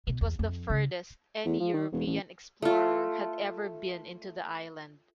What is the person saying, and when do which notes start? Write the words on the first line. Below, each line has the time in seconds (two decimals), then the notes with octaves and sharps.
It was the furthest any European explorer had ever been into the island.
0.07 B2
0.21 E2
0.39 F2
0.70 C#3
1.46 E2
1.60 F3
1.74 D#3
1.92 E1
2.07 A1
2.62 A3 F4